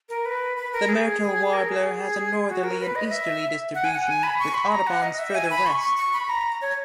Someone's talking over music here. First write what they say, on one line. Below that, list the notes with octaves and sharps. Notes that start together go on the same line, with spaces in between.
The myrtle warbler has a northerly and easterly distribution, with Audubon's further west.
A#4
B4
B4
A#4
G#4
G#4
A#4
G#4
F#4
A#4
B4
D#5
E5
F#5
G#5
F#5
G#5
B5
C#6
B5
A#5
F#5
D#5
E5
G#5
B5
C#6
C#6
C#6
B5
A#5
C#5